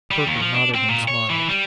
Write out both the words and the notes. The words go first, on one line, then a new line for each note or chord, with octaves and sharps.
Perker nodded and smiled.
G3
D#2
F3
D4
C4
A#2
C#5
E3
G3